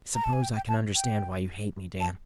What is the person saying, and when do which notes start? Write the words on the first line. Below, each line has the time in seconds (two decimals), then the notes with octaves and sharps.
"I suppose I can understand why you hate me, Dan."
0.15 A#5
0.24 A5
0.33 G#5
0.43 G5
0.56 G5
0.68 A5
0.95 G5
2.00 A5